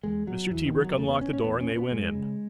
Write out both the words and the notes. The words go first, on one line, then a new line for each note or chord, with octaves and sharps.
Mr. Tebrick unlocked the door and they went in.
E2 G#3
B2 F#3
E2 E3
D#3
B2
F#3
E2 A3
B3
B2 C#4
C#4
E2 B3
C#4
B2
B3
F#2 G#3
C#3